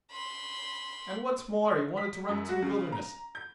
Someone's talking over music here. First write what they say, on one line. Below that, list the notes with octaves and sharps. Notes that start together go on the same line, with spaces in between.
And what's more, he wanted to run into the wilderness!
B5 C6
B6
F#2
F#4
C#3
A#5
G6